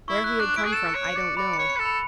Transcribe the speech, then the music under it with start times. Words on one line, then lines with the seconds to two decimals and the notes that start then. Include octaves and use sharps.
Where he had come from, I don't know.
0.08 E4 C#6
0.24 E4 F#6
0.40 D4 F#6
0.56 E4 D7
0.66 G#4
0.73 A4 E7
0.89 C#7
0.95 C#5
1.04 C#7
1.16 D5 C#7
1.37 D5 B5
1.53 C#7
1.59 C#5
1.70 C#7
1.76 B4
1.80 A4
1.85 B5